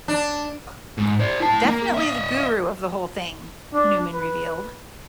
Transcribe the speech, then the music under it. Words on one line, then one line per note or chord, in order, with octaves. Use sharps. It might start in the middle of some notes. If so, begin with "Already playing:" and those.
Definitely the guru of the whole thing, Newman revealed.
D4
G#2
C5 D5
E4 A5
A#3 A#4
D#5 E5
D4
B4